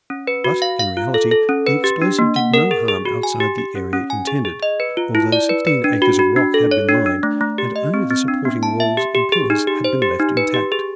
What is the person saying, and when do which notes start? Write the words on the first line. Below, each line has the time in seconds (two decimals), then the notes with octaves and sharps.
But, in reality, the explosive did no harm outside the area intended, although sixteen acres of rock had been mined and only the supporting walls and pillars had been left intact.
0.10 C#4
0.27 B4
0.44 F#4
0.62 F5
0.79 F5
0.97 F4
1.14 A4
1.31 A4
1.49 C#4
1.67 B4
1.84 G4
2.02 D4
2.19 A#3
2.36 F#5
2.54 A#4
2.71 G#4
2.88 G#4
3.05 F#4
3.23 G#5
3.40 G4
3.58 G4
3.75 C#4
3.93 C#4
4.10 G#5
4.27 G#4
4.45 G#4
4.63 D#5
4.80 B4
4.97 F4
5.15 E4
5.32 D5
5.49 B4
5.67 B4
5.84 D4
6.02 F#4
6.19 F#4
6.36 D4
6.54 A4
6.71 C#5
6.89 D4
7.06 D4
7.23 A3
7.41 A3
7.58 G4
7.76 D#5
7.94 C4
8.10 C4
8.28 D4
8.45 B3
8.63 A5
8.80 E5
8.97 G4
9.15 G4
9.32 G#4
9.50 D#4
9.67 G4
9.84 C5
10.02 G4
10.20 D#4
10.37 B4
10.54 G4
10.72 G#4